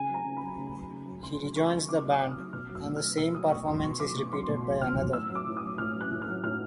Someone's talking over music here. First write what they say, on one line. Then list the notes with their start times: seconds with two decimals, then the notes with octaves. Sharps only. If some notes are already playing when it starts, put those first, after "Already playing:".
He rejoins the band, and the same performance is repeated by another.
Already playing: C#3 G#5
0.09 F#3
0.14 A#5
0.25 C#3
0.37 B5
0.42 F#3
0.58 C#3
0.73 F#3
0.91 C#3
1.06 F#3
1.23 C#3 C6
1.40 F#3
1.55 C#3 C#6
1.71 F#3
1.88 C#3 D6
2.04 F#3
2.10 D#6
2.20 C#3
2.31 F6
2.37 F#3
2.53 B2 F6
2.69 F#3
2.75 E6
2.86 B2
2.96 F6
3.01 F#3
3.17 B2 E6
3.35 F#3 D#6
3.50 B2 C#6
3.67 F#3 C6
3.83 B2 C#6
4.00 F#3 D6
4.16 B2 C#6
4.32 F#3 C6
4.49 B2
4.65 F#3
4.81 B2 F6
4.96 F#3
5.13 A2 E6
5.29 F#3
5.35 D6
5.47 A2
5.57 D#6
5.63 F#3
5.78 A2 F6
5.94 F#3
6.01 F#6
6.11 A2
6.22 F6
6.28 F#3
6.43 A2 F6